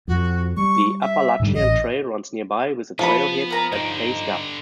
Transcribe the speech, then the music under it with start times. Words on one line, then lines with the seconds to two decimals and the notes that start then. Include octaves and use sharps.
The Appalachian Trail runs nearby, with a trailhead at Keyes Gap.
0.08 F2 F#4
0.57 G3 C#6
1.01 E5
1.40 G#2 D3 G3
1.54 A1 D#5
2.99 F3 B3 B5
3.51 A#4 A#5
3.72 G2 D3 D#4